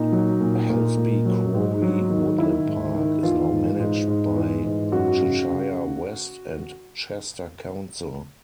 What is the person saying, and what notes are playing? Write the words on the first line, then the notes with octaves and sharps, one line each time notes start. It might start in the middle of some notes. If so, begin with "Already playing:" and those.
'Helsby Quarry Woodland Park' is now managed by Cheshire West and Chester Council.
Already playing: A#2 D#4
F#3
A#2
A#2
A#2
F#3
G#2
F#3
D#3
D#3 E4
G#2
D#3
E3 F4
G#2
G#2
G#2
E3
G#2
F#2 F#4
C#3
C#3